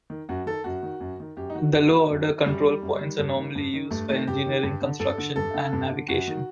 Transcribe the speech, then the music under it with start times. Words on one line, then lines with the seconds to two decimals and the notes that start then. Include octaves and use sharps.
The lower-order control points are normally used for engineering, construction and navigation.
0.10 D#3
0.29 F#2 F#4
0.46 D#3 A4
0.64 F#2 F#4
0.83 D#3
1.00 F#2
1.20 D#3
1.37 F#2 G4
1.50 D#4
1.55 D#3 F#4
1.73 F#2 F#4
1.92 D#3
2.10 F#2
2.28 D#3
2.46 F#2 G3
2.65 D#3
2.82 F#2
3.01 D#3
3.19 G2
3.37 D#3
3.55 G2
3.73 D#3
3.91 G2 A3
4.09 D#3 A3
4.27 G2 G4
4.46 D#3
4.63 G2
4.82 D3
5.00 G2 A4
5.18 D3
5.36 G2 A4
5.54 D3
5.73 G2
5.90 D3
6.08 F#2 F#4
6.27 D#3